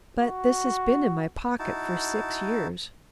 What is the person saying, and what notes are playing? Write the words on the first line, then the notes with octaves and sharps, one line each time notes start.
But this has been in my pocket for six years.
F#4
D#4 E4 F#4 A5